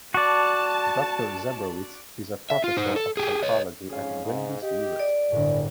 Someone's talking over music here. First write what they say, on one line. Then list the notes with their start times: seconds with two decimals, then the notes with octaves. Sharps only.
Doctor Zebrowitz is a professor of psychology at Brandeis University.
0.14 F#4 D5 A5
2.50 E5
2.64 F4
2.77 D#4 C5
2.96 A4
3.17 G4 G#4
3.42 C#5 D#5
3.89 F2 G#2 C#4 G#4 F5
4.24 G#2
4.62 G4 D#5
5.00 D5
5.32 G1 A2 E4 G#4 A#4